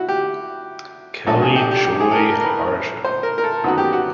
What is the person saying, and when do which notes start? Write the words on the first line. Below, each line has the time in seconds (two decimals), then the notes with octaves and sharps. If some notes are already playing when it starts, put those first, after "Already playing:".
Kelley, Joy Harjo.
Already playing: E4 F#4
0.09 G4
1.27 A#1 G#2 F3 A3 A4
1.42 G#4
1.56 G4
1.71 G4
1.86 G4
2.00 G#4
2.11 A4
2.15 A#4
2.30 A#4
2.41 A#4
2.45 B4
3.04 C5
3.23 A#4
3.38 A#4
3.44 A4
3.64 F#2 D#3 F#3 B3 F#4
3.78 G4
3.93 F#4